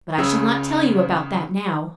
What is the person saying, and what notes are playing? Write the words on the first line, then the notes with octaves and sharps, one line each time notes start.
But I shall not tell you about that now.
C#2 C#3 G#4 E6